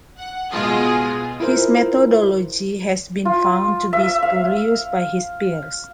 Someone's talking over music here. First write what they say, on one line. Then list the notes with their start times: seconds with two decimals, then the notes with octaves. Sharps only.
His methodology has been found to be spurious by his peers.
0.18 F#5
0.52 B2 G#3 F4 G#4
1.40 E4 F4 A#4 C5
3.25 F4
3.93 E5
4.23 F5